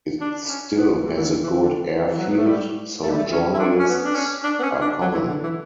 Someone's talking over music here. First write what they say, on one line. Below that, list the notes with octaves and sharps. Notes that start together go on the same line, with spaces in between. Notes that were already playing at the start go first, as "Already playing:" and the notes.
It still has a good airfield, so journalists are common.
D4
C#4
B3
E3
E3
D3
E3
D3
E3
F#3
B3
A3
G3
A3
G3
A3
C#4
E4
D4
C#4
B3
D4
C#4
D4
B3
C#4
D4
F#3
E3
D3
E3